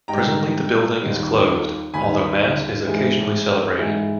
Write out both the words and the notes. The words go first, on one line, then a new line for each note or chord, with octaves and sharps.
Presently the building is closed, although Mass is occasionally celebrated.
G#2 G3 G5 A#5
D#2 D#3 G3
D#2 D#3 G3 G#5 B5
G#2 E3 G#3
G#2 E3 G#3